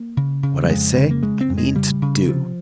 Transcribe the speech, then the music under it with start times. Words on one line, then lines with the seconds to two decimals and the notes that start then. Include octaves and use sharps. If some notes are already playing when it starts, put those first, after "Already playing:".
What I say, I mean to do!'
Already playing: A#3
0.17 C#3
0.43 C#3
0.63 G3
0.69 F2 G#3
0.96 C#3
1.11 A#3
1.23 C#3 G#3
1.41 C4
1.49 F2
1.58 G#3
1.75 C#3 G3
2.02 C#3
2.29 C3 F3